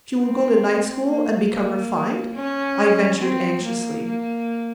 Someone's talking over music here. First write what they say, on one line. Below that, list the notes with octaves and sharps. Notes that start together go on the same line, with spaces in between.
"She will go to night school and become refined?" I ventured anxiously.
C4
A#3
A#3
C#4
C4
A#3
A#3